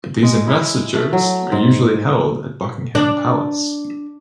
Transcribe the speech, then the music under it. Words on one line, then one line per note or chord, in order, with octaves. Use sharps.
These investitures are usually held at Buckingham Palace.
G#3
E4
A3
F#3
G#2
D4